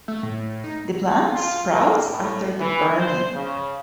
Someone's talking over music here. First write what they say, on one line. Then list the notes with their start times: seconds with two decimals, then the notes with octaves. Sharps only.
The plant sprouts again after burning.
0.08 A3
0.23 A2
0.64 D#4
1.31 F4
1.73 A#3
2.04 A2
2.59 E3
2.98 C5
3.33 C#3